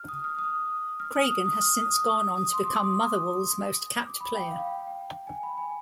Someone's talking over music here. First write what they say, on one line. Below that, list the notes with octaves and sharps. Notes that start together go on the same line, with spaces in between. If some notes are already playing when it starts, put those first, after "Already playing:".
Craigan has since gone on to become Motherwell's most capped player.
Already playing: F6
D#6
F6
D#6
F6
D#6
D#6
D#6
F6
D#6
D#6
D#6
D#6
C6
D6
D#6
D6
B5
G5
F5
G5
G5
G#5
B5
G#5